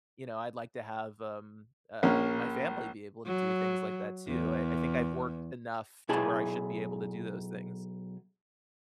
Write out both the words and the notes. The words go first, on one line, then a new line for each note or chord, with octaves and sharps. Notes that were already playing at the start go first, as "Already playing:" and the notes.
you know, I'd like to have, um, uh, my family be able to do things like that, too. I I think I've worked enough to where I should be able to do those things.
A#1 A#3 C#4
F#3
E2
B1 E4 G#4 A5